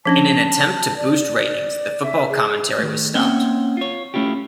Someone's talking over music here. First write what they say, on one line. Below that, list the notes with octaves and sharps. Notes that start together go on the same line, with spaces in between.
In an attempt to boost ratings, the football commentary was stopped.
F3 C#4 D4 A5
D5
E5
G#4
D#3 A3
A#3 C4 C#4 E5 F#5 G5
F4 C#5
A3 C#4 E4 F4 G4